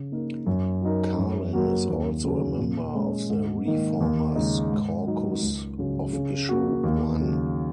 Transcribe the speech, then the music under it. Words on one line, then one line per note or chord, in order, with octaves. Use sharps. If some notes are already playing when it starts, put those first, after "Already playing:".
Carlin is also a member of the ReFormers Caucus of Issue One.
Already playing: C#3
A#3 D#4 A#4
F#2
F#3 D#4 A#4
F#2
F#3 A#3 F#4 A#4
D#2
C#3 F#3 C#4 G#4
A#2
G#3 C#4
G#2
D#3 A#3
D#2
C#3 G#3 D#4
G#2
F#3 D#4
C#2
C#3 F#3
C#3
A#3 F#4
D#2
C#3 F#3